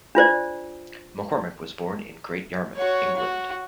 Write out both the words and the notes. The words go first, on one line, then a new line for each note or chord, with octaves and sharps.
McCormick was born in Great Yarmouth, England.
D4 F4 C5 D5
F#4 C#5
F#4